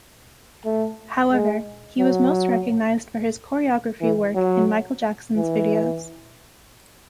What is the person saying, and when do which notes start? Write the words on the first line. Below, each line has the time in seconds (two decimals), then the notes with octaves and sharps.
However, he was most recognized for his choreography work in Michael Jackson's videos.
0.65 A3
1.32 G#3
2.00 F#3
4.01 E3
4.35 F#3
5.37 E3